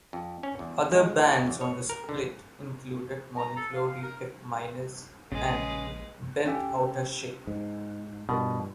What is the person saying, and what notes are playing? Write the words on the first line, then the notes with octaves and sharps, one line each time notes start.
Other bands on the split included Morning Glory, F-Minus, and Bent Outta Shape.
F2
C#4
E2
G#3
A2
D#2
E2
C#5
A#4
D3
A#5
A4
F5
F5
A#4
A#1 C#3 G#3 G#4 B4
C#4 G4 A4 F5 G5 G#5
G#2
G2 B2 F4 A#4